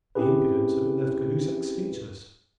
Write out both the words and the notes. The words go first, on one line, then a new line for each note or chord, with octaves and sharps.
The impudence of it left Cahusac speechless.
C4 C#4 E4 G4 G#4 B4